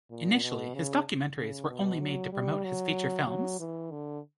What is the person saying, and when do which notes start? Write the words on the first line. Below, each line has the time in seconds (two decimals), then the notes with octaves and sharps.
Initially, his documentaries were only made to promote his feature films.
0.10 A#2
0.42 B2
0.74 C#3
1.37 C#3
1.69 B2
2.00 F#3
2.33 G3
2.64 F#3
3.27 F#3
3.60 E3
3.91 D3